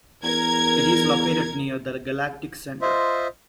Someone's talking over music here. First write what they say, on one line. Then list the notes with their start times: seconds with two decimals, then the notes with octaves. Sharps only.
It is located near the Galactic Center.
0.23 E2 A#4 G#6
2.82 F4 C5 D#5 E5